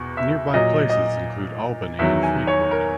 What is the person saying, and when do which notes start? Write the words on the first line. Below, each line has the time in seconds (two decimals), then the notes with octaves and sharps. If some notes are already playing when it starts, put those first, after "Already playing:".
Nearby places include Albany and Freeport.
Already playing: E2 B2 C#6
0.17 E5
0.53 A#2 F#3 D#5
0.89 D#5
1.99 E2 D#3 F#3 E5
2.23 G#5
2.47 C#5
2.71 A#4